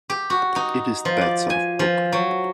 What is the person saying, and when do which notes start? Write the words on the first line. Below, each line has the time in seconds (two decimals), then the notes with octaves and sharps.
"It is that sort of book.".
0.10 G4
0.30 F#4
0.56 D#4
1.05 F3
1.21 D5
1.50 G#5
1.79 F3
2.12 F#3